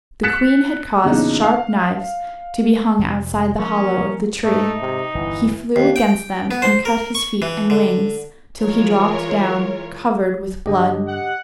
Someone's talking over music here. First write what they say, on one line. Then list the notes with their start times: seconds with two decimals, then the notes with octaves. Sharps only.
The queen had caused sharp knives to be hung outside the hollow of the tree: he flew against them and cut his feet and wings, till he dropped down, covered with blood.
0.23 F#6 A6 B6 C#7 E7
1.03 E2 A#2 C#3 D4 D#4
1.43 F5
2.99 F2 C3 F3
3.59 F3 A#3 C#4 A#4
4.44 G#2 A3 D#4
4.81 C3
5.15 G1 E2 E3
5.76 D#2
5.96 G5
6.51 B3
6.62 C5
6.85 A#4
7.15 C#6
7.42 E3
7.70 D3
8.58 E3 G#3 F4 A#4 C#5
10.66 G2 D3 G4 D#5
11.07 F#5